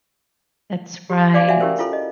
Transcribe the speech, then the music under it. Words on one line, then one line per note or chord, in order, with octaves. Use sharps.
That's right.
G4 C6
D5 F5 D6
F#4 E5 F#5 G#5
C#4 E4 G4 A#4 C5
E4 F4 A4 C5
D#5